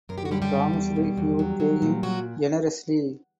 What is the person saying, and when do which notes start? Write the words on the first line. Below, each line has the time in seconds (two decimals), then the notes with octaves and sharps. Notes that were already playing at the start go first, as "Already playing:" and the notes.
He promised he would pay him generously.
0.09 F#2 A#4
0.18 G4
0.25 F#4
0.31 D3 G3 G4
0.42 G3 G4
0.53 F#2
0.73 E2
0.96 B2
1.17 E2
1.39 F#3
1.60 F#3
1.82 A#2
2.03 F#3 F#4